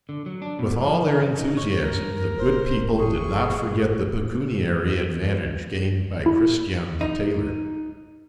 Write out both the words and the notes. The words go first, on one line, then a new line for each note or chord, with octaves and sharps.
With all their enthusiasm, the good people did not forget the pecuniary advantage gained by Christian the tailor.
D3
F#3
D4
B2
F3
A#4
C#3
D#4
C#5
G2 A#4
F1 C5
F#1
G#4 C#6
G#1
E4
D#4